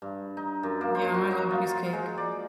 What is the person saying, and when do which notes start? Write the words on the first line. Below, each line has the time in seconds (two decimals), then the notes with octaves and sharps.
Yum, I love cheesecake.
0.02 G2
0.37 D#4
0.63 F#2
0.81 A#3
0.95 C5
1.14 F#4
1.31 D#4
1.51 F4
1.93 G#3
2.17 D5